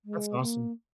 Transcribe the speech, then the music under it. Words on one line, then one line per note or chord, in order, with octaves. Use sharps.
That's awesome.
G#3
A#3